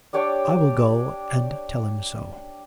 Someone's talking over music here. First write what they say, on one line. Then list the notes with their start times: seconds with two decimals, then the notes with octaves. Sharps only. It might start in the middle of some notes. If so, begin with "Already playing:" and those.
I will go and tell him so.'
0.13 D4 G4 C#5 G5